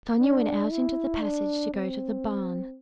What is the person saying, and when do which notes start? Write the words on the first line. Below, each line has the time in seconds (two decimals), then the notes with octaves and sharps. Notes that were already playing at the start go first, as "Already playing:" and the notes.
Sonya went out into the passage to go to the barn.
0.20 D4
0.71 E4
1.22 D4
1.74 C4